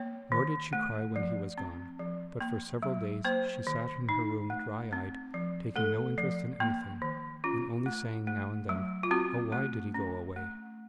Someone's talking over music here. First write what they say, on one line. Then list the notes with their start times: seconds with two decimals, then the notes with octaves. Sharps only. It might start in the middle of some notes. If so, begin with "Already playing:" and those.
Nor did she cry when he was gone; but for several days she sat in her room dry-eyed, taking no interest in anything and only saying now and then, "Oh, why did he go away?"
Already playing: A#3 C#5
0.32 D#3
0.73 A3
1.16 F3
1.58 C4
1.99 F3
2.41 A#3
2.83 F#3
3.25 A#3 C5
3.67 D#3
4.09 D#4
4.50 A3
4.93 C4
5.34 F3
5.76 A3 A4
6.18 F3
6.60 A#3
7.02 D#3
7.44 C#4 F4
7.86 A3
8.27 A3
8.69 F#3
9.03 F4
9.11 C4 F#4
9.52 A3
9.94 C#4
10.36 A3